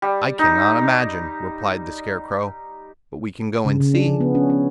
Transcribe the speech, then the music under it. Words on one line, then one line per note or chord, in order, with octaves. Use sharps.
"I cannot imagine," replied the Scarecrow; "but we can go and see."
G3
D#4
C#3
C#3
D4
F3
B3
C#4
C#4